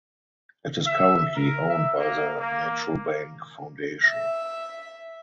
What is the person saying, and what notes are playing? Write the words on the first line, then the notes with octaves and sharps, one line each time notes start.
It is currently owned by the Metrobank Foundation.
E5
A#4
E5
A#3
A#3
E5